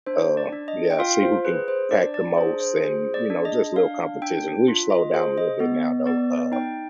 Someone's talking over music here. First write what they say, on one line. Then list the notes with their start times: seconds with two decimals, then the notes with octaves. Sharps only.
Uh, yeah. See who can pack the most and, you know, just little competition. We've slowed down a little bit now, though, uh,
0.06 D4 C5
0.37 D5
0.53 D4
0.68 D#5
0.91 G5
0.99 F4 F5
1.23 C5
1.45 G#4 B4
1.68 C5
1.91 D4 D5
2.14 D5
2.37 G#4 C5
2.60 C5
2.83 G#4 C5
3.14 D5
3.30 D4
3.45 D#5
3.76 D4 F5
4.22 D4 G5
4.68 F4
4.90 D#5
5.14 G#4 C5
5.38 D#5
5.59 B3 D#5
6.06 B3 D5
6.52 D#4 G5